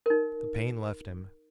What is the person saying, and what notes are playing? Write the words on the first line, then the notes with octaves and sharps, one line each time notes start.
The pain left him.
D#4 A#4